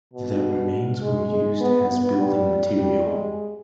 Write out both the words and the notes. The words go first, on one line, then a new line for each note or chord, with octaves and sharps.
The remains were used as building material.
B2
G#3
G#3
B3
B3
G3
G3
G#3